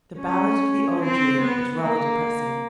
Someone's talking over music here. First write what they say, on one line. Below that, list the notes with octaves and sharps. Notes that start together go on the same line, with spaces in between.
The Ballad of the Old Year is rather depressing.
C#4
C4
B3
A#3